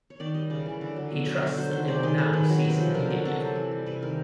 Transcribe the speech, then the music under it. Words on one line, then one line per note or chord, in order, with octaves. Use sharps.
He trusts that they will now cease immediately.
C#5
D#3 D5
G3 D#5
C#3 D5
E3
D3
F#3
B2
F#3
D3 C#5
F#3 C5
D#3 C5
G#3 D5
D#3 D#5
G#3 A4
D#3 B4
F#3
C3 B4
F3
D3 A#4
F#3
C3 A4
E3
E3
G3
C3 B4
D#3 A#4